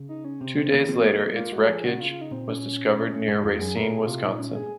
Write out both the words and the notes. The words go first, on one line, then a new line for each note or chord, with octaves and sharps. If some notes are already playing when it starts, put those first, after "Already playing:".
Two days later its wreckage was discovered near Racine, Wisconsin.
Already playing: C#3
D#4
C#4
C3 C4
C4
D#3 A#3
F3 C4
A#3
G#3
A#3 F4
G#3 F#4
F3 G#4
C#3 F#4
F4
F4
D#4
A#2 C4
C#4
G#2 D#4
F2 F4
F#2 G#4
A#2 A#4
G#4
A#2
C3 F4
A#2 D#4
C#4
G#4